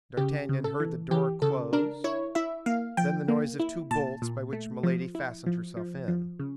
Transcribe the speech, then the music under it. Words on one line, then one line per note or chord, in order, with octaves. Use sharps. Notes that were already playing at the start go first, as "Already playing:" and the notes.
D'Artagnan heard the door close; then the noise of two bolts by which Milady fastened herself in.
C#3 G4
C#3
A4
E3
E3 G4
C#3 A4
D4 A#4
E4 C#5
E4 E5
A#3 F5
F3 G5
A#3
E4
A#2 A5
A#2
A3
F3
E4
F3
F3
F3
C#3